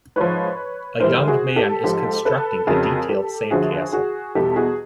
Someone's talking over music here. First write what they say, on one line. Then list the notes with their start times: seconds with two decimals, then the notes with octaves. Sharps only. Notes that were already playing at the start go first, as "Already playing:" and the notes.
A young man is constructing a detailed sand castle.
0.16 G#2 F3 B4 C#5
1.00 G#2 E3 G3 A#4 C5
1.28 F#4 G#4
1.56 G4 A4
1.84 G#2 F3 G4 A4
2.25 A4 B4
2.67 F2 C#3 F#3 G#4 A#4
3.09 G4 A4
3.51 F#2 D3 F3 F#4 G#4
3.93 F#4 G#4
4.35 E2 B2 G3 G4 A4
4.56 F#4 G#4